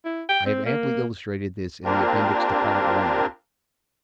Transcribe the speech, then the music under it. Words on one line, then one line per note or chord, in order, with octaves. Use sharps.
I have amply illustrated this in the Appendix to Part I.
E4
G5
C4
A#3
A#3 C4 D4 F4 G4 A#4